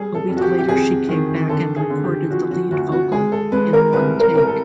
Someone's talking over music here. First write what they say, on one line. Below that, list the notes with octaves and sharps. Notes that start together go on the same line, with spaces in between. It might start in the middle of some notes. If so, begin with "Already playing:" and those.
A week later she came back and recorded the lead vocal in one take.
Already playing: G3 G#4
A4
F2
F#4
G4
G4
F2 G#4
D#3
D3 A4
G#4
D3
G4
F3 F#4
F#4
D2 F#4
F#4
G#3 G#4
A4
G#3 B4
A#4
C2 B4
A#4
C2 A#4
A4